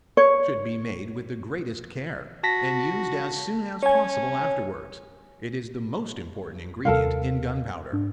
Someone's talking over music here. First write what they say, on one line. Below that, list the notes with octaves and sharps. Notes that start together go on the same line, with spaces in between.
It should be made with the greatest care, and used as soon as possible afterwards: it is the most important ingredient in gunpowder.
C#5
F#4 A5 A#6 B6
C#4 C#5 G#5
D#2 C3 A4 A#4 F5
G#2 D4